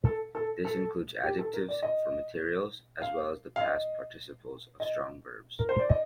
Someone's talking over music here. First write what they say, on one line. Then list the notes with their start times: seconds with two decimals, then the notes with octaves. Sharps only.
This includes adjectives for materials, as well as the past participles of strong verbs.
0.05 A4
0.35 A4
0.65 A4
1.24 G4
1.39 A4
1.53 A#4
1.68 D5
1.83 D#5
3.02 F5
3.56 F5
3.61 D#5
4.80 D#5
5.59 A#4
5.69 C5
5.79 D5
5.89 D#5